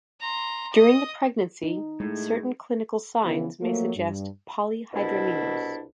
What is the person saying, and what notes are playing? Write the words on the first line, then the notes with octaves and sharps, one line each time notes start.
During the pregnancy, certain clinical signs may suggest polyhydramnios.
A#5 C6
D#5 D#6
D#4
A2 G#3
C#3 E3 F3 B3 E4
F3 F#3 A3 A#3
G2
C2 B2 D4 E4